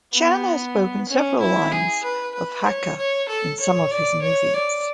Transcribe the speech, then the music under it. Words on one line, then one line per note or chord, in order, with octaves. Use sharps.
Chan has spoken several lines of Hakka in some of his movies.
B3
C#4
E4
G#4
B4
B4
C#5
C#5
A4
C#5
D5
C#5
D5